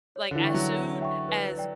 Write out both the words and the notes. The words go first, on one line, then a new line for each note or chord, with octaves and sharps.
like, as soon as
C#5
D3
E3
E5 G5 C#6
F#3
C#5
E5 G5 C#6
B4
D5 G5